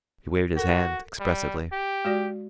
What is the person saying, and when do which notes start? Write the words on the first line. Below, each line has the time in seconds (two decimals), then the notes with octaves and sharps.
He waved his hand expressively.
0.57 F#4 A4 A#4
1.20 G3
1.72 G4
2.05 G#3 F#4 D5